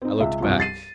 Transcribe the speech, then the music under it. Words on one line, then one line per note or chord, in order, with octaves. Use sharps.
I looked back.
C4 D#4
C#2 E5
C2 G2 F3
A6 C7 D#7